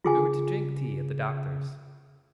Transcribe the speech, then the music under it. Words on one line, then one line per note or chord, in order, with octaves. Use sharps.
We were to drink tea at the Doctor's.
C#3 F4 G#4 G#5